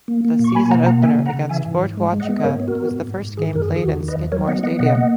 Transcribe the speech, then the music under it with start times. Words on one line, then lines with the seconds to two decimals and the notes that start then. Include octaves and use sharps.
The season opener against Fort Huachuca was the first game played in Skidmore Stadium.
0.08 A#3
0.25 A#3
0.39 A#2 C#6
0.55 A#3 G#5 B5
0.65 G#5
0.71 B2 F#5 A#5
0.86 A#3 F#5 A#5
1.02 C#3 E5 G#5
1.19 C#3
1.26 F#5 A#5
1.34 C#3
1.49 E3 E5 G#5
1.66 G#2
1.81 G#2
1.97 G#3
2.13 G#3
2.20 D#5 F#5
2.29 B3
2.38 D#5
2.44 G#2 A#4 C#5
2.60 B3
2.68 F#4 A#4
2.75 B3
2.91 G#2
3.07 G#2
3.22 G#2
3.37 D#3 G#4
3.53 F#2 A#4
3.62 G#4
3.69 D#3
3.76 G#4
3.85 E2 F#4
4.00 D#3
4.08 B4 D#5
4.17 E2
4.32 F#3 A#4 C#5
4.47 B3 D#5 F#5
4.63 B3 D#5 F#5
4.79 B2 D#5 F#5
4.95 A#3